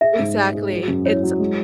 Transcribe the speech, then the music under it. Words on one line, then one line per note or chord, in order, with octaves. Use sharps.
Exactly. It's, uh
G#4 E5
G#2
G#3
G#4
F#3
F#2
E4 C#5
F#3
G#3